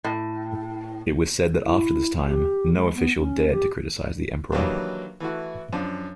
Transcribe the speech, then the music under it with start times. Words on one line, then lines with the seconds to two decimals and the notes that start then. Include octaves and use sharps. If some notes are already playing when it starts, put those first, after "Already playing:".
It was said that after this time, no official dared to criticize the emperor.
0.04 A2
1.65 E4
2.25 G4
2.74 G#3
2.96 B3
3.18 C#4
3.51 G4
4.52 D#3 E3 F#3 G3 A#3 D4
5.20 E3 A3 E4 F#4
5.73 F#2 F3 D4